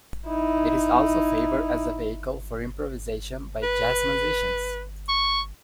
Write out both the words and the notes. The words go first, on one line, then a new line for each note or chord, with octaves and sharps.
It is also favored as a vehicle for improvisation by jazz musicians.
D#4 E4
B4
C#6